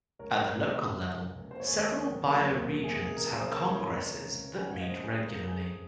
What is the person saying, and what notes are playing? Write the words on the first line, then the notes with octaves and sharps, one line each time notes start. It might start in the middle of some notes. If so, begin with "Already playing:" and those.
At the local level, several bioregions have congresses that meet regularly.
C#2 A#4 C#5
C#2
C3
C#2
C#2
F3
F3
C#2
A#3 C5
C#5
D#2 G#4 C5
A#3
A#3
A#3
F#3
D#2
A#3
C3 G#4
C#2 G#4
C#2 A#4
A#4
F3 G#4 C5
F3 A#4 C#5
C#2
C3
C3
C#3
C#2
C#3
G#5
C#3 F#5
F5
C#2 C5 D#5
C#2
G#4
C#2
A#4
C#3
F2 G#4